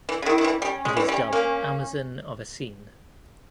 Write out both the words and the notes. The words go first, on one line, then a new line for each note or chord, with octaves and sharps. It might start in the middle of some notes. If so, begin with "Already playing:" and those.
It is dubbed "Amazon of Asean".
E3
C#3
D#3 E4
D#3
E3
G3 C#4
G#3
E3
G3
A#3